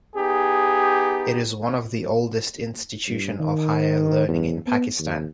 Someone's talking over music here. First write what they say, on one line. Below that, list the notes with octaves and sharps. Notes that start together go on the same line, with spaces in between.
It is one of the oldest institution of higher learning in Pakistan.
B3 D#4 G4 G#4
G2
D#3
E2
B3
D#2